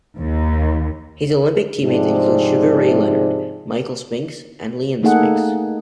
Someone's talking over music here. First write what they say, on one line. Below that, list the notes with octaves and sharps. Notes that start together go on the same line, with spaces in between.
His Olympic teammates included Sugar Ray Leonard, Michael Spinks and Leon Spinks.
D#2
G#2 C3 F3 C4 D4 G#4
A3 A#3 D#4 G#4 A4 F#5